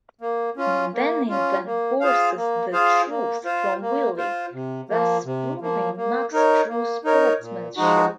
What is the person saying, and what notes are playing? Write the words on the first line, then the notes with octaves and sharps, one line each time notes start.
Danny then forces the truth from Willie, thus proving Muggs' true sportsmanship.
A#3
C#4 F4
A#3
C#4 F4
A#3
F4 G#4 C5 F5
A#3
F4 G#4 C5 F5
A#3
F4 C5
A#3
F4 C5
C3
F3 A#3
C3
F3 A#3
A#3
D#4 A#4 C#5
A#3
D#4 A#4 C#5
A#2
F3 G#3 D#4 F#4